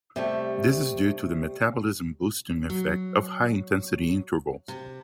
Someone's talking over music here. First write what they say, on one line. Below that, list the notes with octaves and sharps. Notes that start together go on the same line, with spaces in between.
This is due to the metabolism-boosting effects of high intensity intervals.
C3 G3 A3
F#3
C3